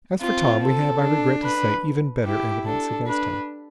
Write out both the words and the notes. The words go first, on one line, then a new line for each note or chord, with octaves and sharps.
"As for Tom, we have, I regret to say, even better evidence against him."
C4 F4
A4
D4
B4
E4 G4
D4 A4
D4 B4